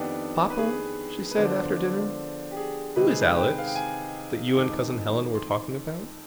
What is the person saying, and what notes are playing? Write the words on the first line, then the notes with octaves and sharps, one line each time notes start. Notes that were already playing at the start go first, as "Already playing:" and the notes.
"Papa," she said, after dinner, "who is Alex, that you and Cousin Helen were talking about?"
Already playing: F2 D#3 B3 D4 G4
B4
G#4
B4
D3 F3 B3 D4 C5
D5
G4
G#4
C3 D#3 G#3 B4
G#4
B4
G5
F5
G5
G#5
F2 D#3 G#3 D6
C6